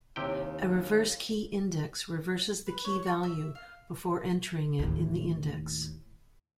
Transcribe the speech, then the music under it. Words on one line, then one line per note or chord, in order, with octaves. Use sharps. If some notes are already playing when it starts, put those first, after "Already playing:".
A reverse key index reverses the key value before entering it in the index.
D#2 C3 E4 G4 C5 C#5 G5
B4
C#5
C#6
E5
F5
D#2 A2